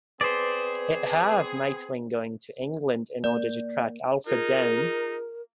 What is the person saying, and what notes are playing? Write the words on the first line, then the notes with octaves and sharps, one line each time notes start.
It has Nightwing going to England in order to track Alfred down.
B3 C4 G#4 B4 C5 D5
A#3 D5
D#4 F4 G#4 A#4